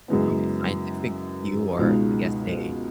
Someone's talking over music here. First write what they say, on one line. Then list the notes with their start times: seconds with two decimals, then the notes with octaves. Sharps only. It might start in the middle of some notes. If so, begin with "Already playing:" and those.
From a scientific view, or I guess a
0.08 F#2 C#3 E3 G#3 B3
1.78 C#2 B2 G#3 D#4